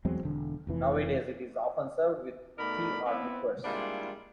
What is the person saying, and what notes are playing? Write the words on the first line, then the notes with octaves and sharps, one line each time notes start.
Nowadays, it is often served with tea or liqueurs.
E2 F#3 G#3 C4
E1 D3
F1 F2 E3
B2 A3 D#4 A#4 D5 B5
B3 C4 E4
G3 G#3 A#3 D4 E4 F4